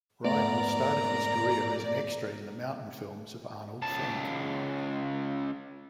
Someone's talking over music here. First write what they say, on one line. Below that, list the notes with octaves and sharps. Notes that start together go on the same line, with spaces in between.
Reinl started his career as an extra in the mountain films of Arnold Fanck.
F2 G#2 A3 B3 A#4 D5 A#5
C#2 A5